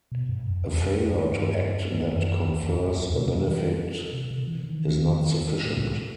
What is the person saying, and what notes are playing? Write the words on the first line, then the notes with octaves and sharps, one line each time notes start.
A failure to act that confers a benefit is not sufficient.
B2
G2
F#2
E2
F#2
G2
G2
F#2
E2
F#2
G2
E2
B2
C3
D#3
E3
C3
C3
E3
D#3
A2